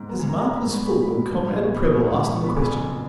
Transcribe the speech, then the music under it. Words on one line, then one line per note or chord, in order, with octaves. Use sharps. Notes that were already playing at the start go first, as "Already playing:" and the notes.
His mouth was full when Comrade Prebble asked him a question.
Already playing: G#2
B3 A#5
G#5
G#2
A#5
G#2 A#5
G#2 B5
B3 C#6
B3 B5
F#3 B5
G#2
A#1
A#1
B3 C#6
B5
G#2
D#6
G#2 C#6
A#1 C#6
A#1 B5
C#6
B3 B5
F2 G#5
F#1